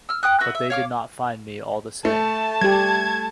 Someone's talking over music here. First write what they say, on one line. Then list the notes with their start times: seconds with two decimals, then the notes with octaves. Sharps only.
But they did not find me all the same.
0.09 E6 F6
0.23 G5 D#6 F#6
0.40 F#4 B4 E5
0.55 E5
0.70 C#5 F5 D6
2.05 A3 A5
2.61 G3 G4 G#6